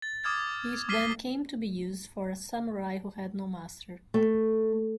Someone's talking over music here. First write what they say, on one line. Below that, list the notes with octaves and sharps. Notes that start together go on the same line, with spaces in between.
It then came to be used for a samurai who had no master.
A6
D6 D#6 F6 G#6 A6
D6 F6 B6 C7 D#7 G7
A3